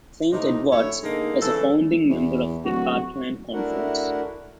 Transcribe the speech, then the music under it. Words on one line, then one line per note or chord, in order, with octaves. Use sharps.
Saint Edward's is a founding member of the Heartland Conference.
A2 C3 D#4
D2 A2 E4 A4 C#5
D3 G#3 A#3 D#4
C#3 E3 A4
E2
D1 F#4
A3 D4 E4 F#4 A#4 F#5